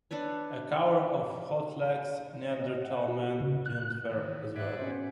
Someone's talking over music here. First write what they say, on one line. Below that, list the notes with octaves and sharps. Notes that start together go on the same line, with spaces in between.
A cover of Hotlegs' "Neanderthal Man" didn't fare as well.
D4 A4 B4 C#5
D#5
F#5
F#4
C#3
F#6
D#3 E3
G#4 B4 D5 E5 F#5 F#6
B2 C#4 C5 F#5